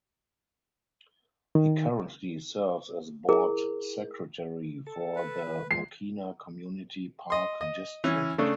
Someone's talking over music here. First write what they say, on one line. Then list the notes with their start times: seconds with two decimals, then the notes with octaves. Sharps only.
He currently serves as board secretary for the Mokena Community Park District.
1.55 D#3
3.29 E4 G#4 A#4
4.87 A4
5.16 B4
5.47 E3
5.71 F3 G#3 C7
7.30 D#5 C6
7.61 D#5
8.04 E3 C#4
8.38 C#3 A3 D4